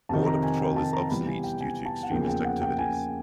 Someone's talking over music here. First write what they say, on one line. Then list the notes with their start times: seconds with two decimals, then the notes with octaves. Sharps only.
Border patrol is obsolete due to extremist activities.
0.09 F2 C3 D#3 A5
0.26 A#5
0.43 G#5
0.60 G5
0.76 A5
0.93 A#5
1.10 C3 E3 G3 B3 B5
1.27 G#5
1.44 G5
1.61 G#5
1.86 A5
2.03 F#5
2.11 E2 C#3 F3 A#3 G5
2.21 G#5
2.28 G5
2.45 F#5
2.62 G5
2.79 G#5